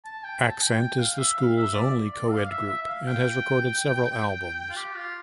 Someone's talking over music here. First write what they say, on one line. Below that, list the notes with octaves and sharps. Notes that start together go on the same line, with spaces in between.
Accent is the school's only co-ed group and has recorded several albums.
A5
G5
A5
G5
G5
F5
E5
F5
E5
D5
D5
F5
E5
E5
E5
F5
G5
F4
G4
F4